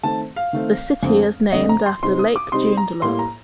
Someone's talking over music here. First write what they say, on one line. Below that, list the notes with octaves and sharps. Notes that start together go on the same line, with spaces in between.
The city is named after Lake Joondalup.
D#3 A3 C4 A5
F5
D#3 A3 C4
F2 D3 A3 C4
F2 D3 A3 C4 D#5
A#5
C6
C3 G3 C4 D#4 C6
D#6
D6
C3 G3 C4 D#4 C6
A#5
A2 G3 A#3 C6
A#5